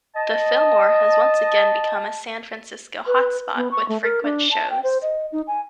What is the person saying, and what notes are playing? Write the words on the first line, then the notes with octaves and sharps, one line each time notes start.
The Fillmore has once again become a San Francisco hot spot with frequent shows.
D#5 A5
B4
B3
C#6
A3
A#4
D4
A5
G5
C5
D#5
D#4
G#5